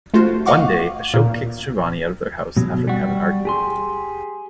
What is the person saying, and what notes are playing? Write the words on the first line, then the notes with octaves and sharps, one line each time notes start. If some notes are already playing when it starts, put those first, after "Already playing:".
One day, Ashok kicks Shivani out of their house after they have an argument.
A3 F4 F#4 C5
D#5 F5 F#5 C#6 D6
A#2 A#3
B2 F#3
G3 F#4
G4 G#4 C6